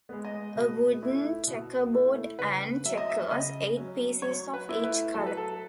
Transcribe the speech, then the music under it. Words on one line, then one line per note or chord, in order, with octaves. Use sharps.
A wooden checkerboard and checkers, eight pieces of each colour.
G#3 B3
D#5
B2
A3 E4
B2
A3 E4
C#3 B4
F#3 C#4 E5
D#5
E5
C#3 D#5
F#3 C#4
F#3 C#5
B4
A3 E4
B4
F#3 A4
B4
A4